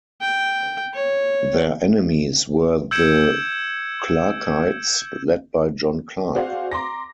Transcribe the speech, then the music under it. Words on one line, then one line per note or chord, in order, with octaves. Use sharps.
Their enemies were the Clarkites, led by John Clark.
G5
C#5
E6 G6 G#6 C#7 D7 E7
F#4 G#4 C5 D5 F5 F#5
A#5 C6 D6 A#6